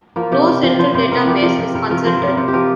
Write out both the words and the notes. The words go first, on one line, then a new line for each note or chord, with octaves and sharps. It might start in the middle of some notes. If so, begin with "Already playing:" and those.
No central database is consulted.
F3 A#3
C3 G4
C3
F3
F3 C5
C3 C5
C3 A#4
F3 G4
F3 A#4
C3
C3 A#4
F3 A#4
F3 C5
C3 A#4
A#4
C3 C5
G4
F3 A#4